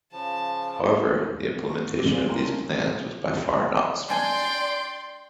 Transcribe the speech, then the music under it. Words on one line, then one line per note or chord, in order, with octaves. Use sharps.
However, the implementation of these plans was by far not smooth.
C#3 F3 A5
C#6
B2 D6
F4 G#4 C5 D5 F5
A#4 G5 C6
A3 C#4 A#4
G#3 D4 D5 G5 G#5 C6